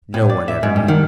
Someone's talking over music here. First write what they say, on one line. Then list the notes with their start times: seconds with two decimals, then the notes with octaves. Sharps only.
No one ever knew.
0.14 A2
0.30 D5
0.48 E5
0.63 G#2
0.76 G2
0.88 D#3